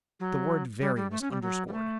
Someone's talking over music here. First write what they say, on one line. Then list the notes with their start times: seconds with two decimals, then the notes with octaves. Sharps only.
The word 'very' was underscored.
0.20 F#3
0.81 G3
0.96 G3
1.11 A3
1.21 C#4
1.31 G3
1.42 F#3
1.68 G3
1.73 A3